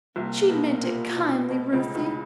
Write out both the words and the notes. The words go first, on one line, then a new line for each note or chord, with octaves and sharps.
She meant it kindly, Ruthie.
C2 C3 A#3
B2
A#2
A#2
B2
B2 A3
C#2 C#3
C#2 C#3